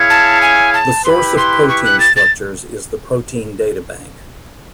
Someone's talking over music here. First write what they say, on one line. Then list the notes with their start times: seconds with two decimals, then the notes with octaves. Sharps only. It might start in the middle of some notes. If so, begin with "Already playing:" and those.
The source of protein structures is the Protein Data Bank.
Already playing: E4 G#4 C#5 F5
0.10 A5
0.42 G#5
0.74 A5
1.05 E4 G4 B4 B5 C6
1.37 C6
1.69 C#6
1.84 F#6
2.00 A6
2.16 A6